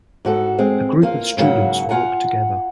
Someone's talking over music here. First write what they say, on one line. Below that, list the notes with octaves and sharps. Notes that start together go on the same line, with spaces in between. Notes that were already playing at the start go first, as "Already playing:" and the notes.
A group of students walk together.
G#2 F#4 A4
G#3 C4
F3 A#3 F4
G#2 C#3 F#3 A#3 F#4
F4 F#5 G#5 A#5